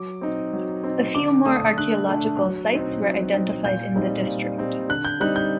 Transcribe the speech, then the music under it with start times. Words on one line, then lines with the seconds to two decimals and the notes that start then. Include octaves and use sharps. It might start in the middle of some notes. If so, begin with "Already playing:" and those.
A few more archaeological sites were identified in the district.
Already playing: F#3 D6
0.21 C4 D#4
0.53 F#3
0.84 C4 D#4
1.15 D3 D6
1.46 A3 D4 D#6
1.78 D3 F#6
2.09 A3 D4
2.40 F#3
2.72 C4 D#4
3.02 F#3
3.34 C4 D#4
3.65 A#2 G6
3.96 G3 C4 D#4
4.26 A#2
4.58 G3 C4 D#4
4.89 D3 F#6
5.05 G6
5.20 G3 C4 D#4 F#6
5.36 G6